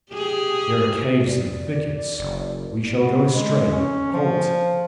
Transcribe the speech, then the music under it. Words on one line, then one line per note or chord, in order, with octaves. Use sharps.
Here are caves and thickets: we shall go astray!--Halt!
G4 G#4
D5
F#1
B3
G#3
C#4
F3